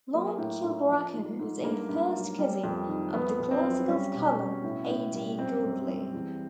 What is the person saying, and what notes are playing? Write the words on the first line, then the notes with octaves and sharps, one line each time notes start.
Lord Kilbracken was a first cousin of the classical scholar A. D. Godley.
F#3 A#3
A2
A2
F3
G#2
G#2
G2 A#3
G2
F#3
G3
F2
D#3
F2 B3
F2
C4
F#3
G3 C#4
B2
C#4
B2
A2
A2
G3
F#2 C4
F#2
G3
E2